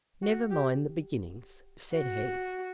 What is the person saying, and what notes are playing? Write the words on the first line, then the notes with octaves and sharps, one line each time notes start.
"Never mind the beginnings," said he.
F#4
G4
F#4